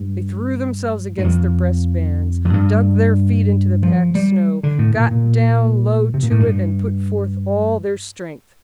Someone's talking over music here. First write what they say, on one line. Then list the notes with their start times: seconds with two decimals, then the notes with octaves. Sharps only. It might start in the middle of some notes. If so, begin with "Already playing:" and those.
They threw themselves against the breast-bands, dug their feet into the packed snow, got down low to it, and put forth all their strength.
Already playing: G2
1.18 G2
1.24 F2
2.45 F2
2.53 G2
3.83 F3
4.15 G3
4.63 D3
4.79 A2
4.95 A#2
5.11 A#2
6.14 C3
6.23 A#2
6.31 A2
6.40 G2